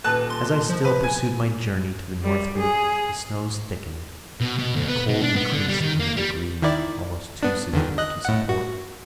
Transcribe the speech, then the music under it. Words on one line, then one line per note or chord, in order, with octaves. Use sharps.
As I still pursued my journey to the northward, the snows thickened and the cold increased in a degree almost too severe to support.
D#1 B4 A5 F#6
C6
F3
B4
G#5
G3
G#4
B2
B2
D2
B3
B2
D4
B3
D3
G3
D#3
A#3
G3
D#3 E4 D5
B3 D4
E2 D3 D#3
D#5 F#6
A2 F#5
F#4